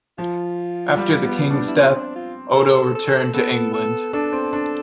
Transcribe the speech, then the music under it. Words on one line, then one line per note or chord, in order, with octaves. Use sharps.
After the king's death, Odo returned to England.
F3 F4
G3
B3
D4
E4
C4 F4
D4
F4
A4
A4
B3 A4
A4
D4 A4
C4
D4